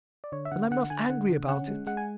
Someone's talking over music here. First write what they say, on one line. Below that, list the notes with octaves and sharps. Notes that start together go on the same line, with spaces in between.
And I'm not angry about it.
D5
D3 C#5
E5
D3 F#5
D3 F#5
D3 G#5
D3 F#5
D3
C#4 F#5
G#3
G#3 F#5
G#5